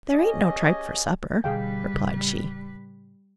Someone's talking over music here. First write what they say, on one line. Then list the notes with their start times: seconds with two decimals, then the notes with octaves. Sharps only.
"There ain't no tripe for supper," replied she.
0.14 C#4 G4 G#4 D#5 G#5
1.44 B2 D3 E3 G3 G#4 B4 F5 G5
1.94 A2 C#3